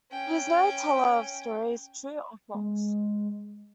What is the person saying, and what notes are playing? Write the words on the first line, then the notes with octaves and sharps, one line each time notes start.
He is no teller of stories, true or false.
C#4 G5
G#3